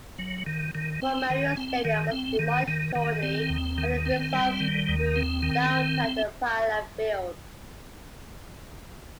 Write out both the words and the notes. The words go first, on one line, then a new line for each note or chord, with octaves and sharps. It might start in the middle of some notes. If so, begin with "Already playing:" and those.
War Memorial Stadium was demolished shortly after the Bisons moved downtown to Pilot Field.
F#3
D#3
D#3
C4
D#3
C4
D#3
C4
D#3
D#3
D#3
C4
D#2
D#3
C4
G3
D#3
D#2
C4
D#3
C4